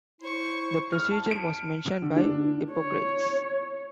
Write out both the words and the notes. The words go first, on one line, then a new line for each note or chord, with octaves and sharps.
The procedure was mentioned by Hippocrates.
E4 C5 C#6
F6
A5
D7
D3
D4
C#5